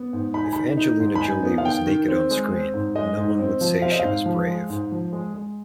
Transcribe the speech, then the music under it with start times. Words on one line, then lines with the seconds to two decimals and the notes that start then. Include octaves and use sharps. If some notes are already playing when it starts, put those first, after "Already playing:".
If Angelina Jolie was naked onscreen no one would say she was brave.
Already playing: B3
0.13 G#2
0.34 D#4 B5
0.44 G#5
0.53 D#3 B5
0.77 D#4
1.00 G#2
1.15 B5
1.22 D#4 G#5
1.43 B3
1.58 F5
1.65 D#3 G5
1.87 D#3
2.08 C4
2.31 G#3
2.51 C4
2.74 G#2
2.95 G#3 D#5
3.17 G#2
3.39 C4
3.61 F3
3.82 C4 F5
3.92 D#5
4.00 G#2 F5
4.26 F3
4.48 G#3
4.70 G#2
4.92 F3
5.13 G#3
5.34 G#3